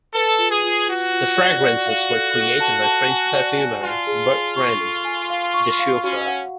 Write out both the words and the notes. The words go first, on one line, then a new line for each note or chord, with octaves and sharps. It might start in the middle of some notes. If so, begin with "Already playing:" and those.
The fragrances were created by French perfumer Bertrand Duchaufour.
A4 B4
F4
G#4
F4
F4 F#4
F4
D5
D5
F5
A4
A4
A5
A5
G#5
D5
G#5
F4 G#5
G#4
G#5
C#6
A4
G#5
F5
C#6
F5
C#4 F#4
F#5